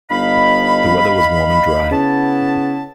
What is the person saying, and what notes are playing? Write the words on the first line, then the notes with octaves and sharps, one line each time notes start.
The weather was warm and dry.
G1 D#4 F5 B5
C#3 B3 E4 A5